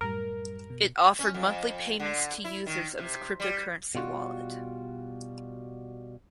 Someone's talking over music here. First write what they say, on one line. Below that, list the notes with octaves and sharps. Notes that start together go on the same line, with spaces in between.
It offered monthly payments to users of its cryptocurrency wallet.
F#2 A2 G3 A#4
B2
C#4
F2
D3
E4
D#3
C3
G3
B2 G3 F4 F#4